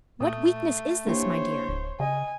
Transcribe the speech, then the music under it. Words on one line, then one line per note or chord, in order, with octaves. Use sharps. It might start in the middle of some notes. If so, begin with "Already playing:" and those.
What weakness is this, my dear!
A#2 A3 D#6
A#3 D4 E4 G4 C5 C#5
D1
C#3 D#5 G#5